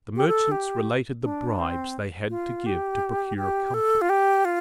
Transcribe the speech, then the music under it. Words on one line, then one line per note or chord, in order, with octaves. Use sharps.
The merchants related the bribes they had to give to procure comfort.
G4
A4
G4
D4
C4
F4
G4
G4
A4
F4
G4
F4